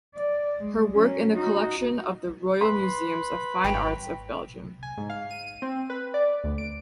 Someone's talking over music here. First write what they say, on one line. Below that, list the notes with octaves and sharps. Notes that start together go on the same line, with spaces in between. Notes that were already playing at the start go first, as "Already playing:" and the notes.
Her work in the collection of the Royal Museums of Fine Arts of Belgium.
D5
G#3
F#3 C#4
D#4 F#4
B4 C6
G#1 F#3 G5
G#5
G#2
F5
D#7
C4
B4
D5
D2
D7